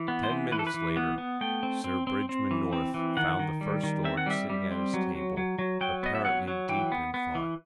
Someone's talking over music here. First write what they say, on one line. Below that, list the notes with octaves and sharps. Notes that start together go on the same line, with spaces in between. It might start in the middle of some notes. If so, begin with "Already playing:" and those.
Ten minutes later Sir Bridgman North found the First Lord sitting at his table, apparently deep in thought.
Already playing: E3
B3
C5
E3
E3 B4
A4
B4
E3
B3
B3
A3 G5
C4
C4
C4
C4
E3
C4
E3
D#3 F#5
D#3
G3
D#3
C4 E5
F#5
G3 E5
G3
C4
F#3
F#3
F#3
F#3
F#3 G5
B3 D#5
E5
F#3 F#5
F#3
E3 G5
B3
B3
E3